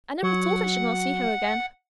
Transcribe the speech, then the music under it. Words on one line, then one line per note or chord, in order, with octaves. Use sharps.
I never thought I should not see her again.'
F#3 F#5